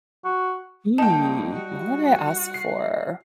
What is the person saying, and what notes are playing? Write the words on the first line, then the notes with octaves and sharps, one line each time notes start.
Hmm, what would I ask for?
F#4
G3 A#3 D#4 G5 A5
F#4
C7